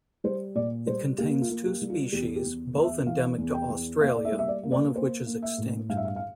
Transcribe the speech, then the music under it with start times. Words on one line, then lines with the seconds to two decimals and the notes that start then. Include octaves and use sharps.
It contains two species both endemic to Australia, one of which is extinct.
0.24 G3 C5
0.55 A#2 D5
0.87 G3 C5
1.18 A#3 G4
1.42 F4
1.50 A#3
1.66 G4
1.82 G3
1.90 F4
2.12 E2 G4
2.36 G4
2.45 E2
2.75 E2
2.84 E5
3.06 E3 F5
3.38 E2
3.54 G5
3.70 E2
4.01 A#3 F5
4.16 D5
4.25 E5
4.32 G3
4.39 E5
4.48 D5
4.63 A#3
4.72 D5
4.95 A#3 C5
5.26 A#3
5.42 E5
5.58 A2
5.89 G2 F5
5.97 E5
6.05 F5
6.16 F5